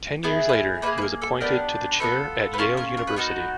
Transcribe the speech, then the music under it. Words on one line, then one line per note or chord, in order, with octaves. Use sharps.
Ten years later he was appointed to the chair at Yale University.
B3 E4 G#4
B4
A#4
A#3 D#4 G#4 B4
B4
A#4
A4
B3 D4 G4 A#4
B3 D4 F4 A4 B4
B4
C#4 F4 G#4 A#4
A#4
A#4
B4
B3 D#4 F#4 A#4